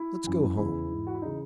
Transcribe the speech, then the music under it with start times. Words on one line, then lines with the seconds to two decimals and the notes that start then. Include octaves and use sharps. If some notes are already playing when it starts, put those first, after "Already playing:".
Let's go home.
Already playing: E4
0.24 F#2 E3
0.57 E2 C#3 E3 E4
0.90 G#2 E3
1.07 F#4
1.15 E4
1.22 C#3 E3 D#4